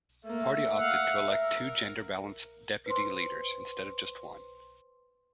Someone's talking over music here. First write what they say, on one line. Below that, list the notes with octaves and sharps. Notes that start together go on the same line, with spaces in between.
The party opted to elect two, gender-balanced deputy leaders, instead of just one.
A3 A#3 E5
F5 F#5
A#4
B4 C5 C6